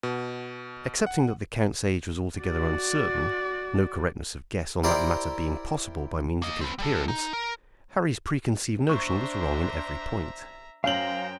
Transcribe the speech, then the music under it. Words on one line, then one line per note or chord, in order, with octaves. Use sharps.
Excepting that the count's age was altogether uncertain, no correctness of guess on that matter being possible by means of his appearance, Harry's preconceived notion was wrong in every point.
B2
F#5
F#4 D5
E4 G4 A#4 C5 D5 A#5
A#3 D#5
C4 B4
G3 A4
D#4
A#4
D4 C5 E5 A#5 C#6
F#2 C#4 C5 F5 G5 A#5 F#7